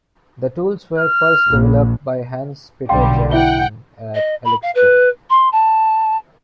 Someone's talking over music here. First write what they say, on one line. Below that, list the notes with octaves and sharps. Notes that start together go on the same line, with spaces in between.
The tools were first developed by Hans Petter Jansson at Helix Code.
F6
A#1
B1 D3 G3 F5 G5 C6
E4 E5 F#5 G5 G7
D#5
B5
F5
B4
C6
A5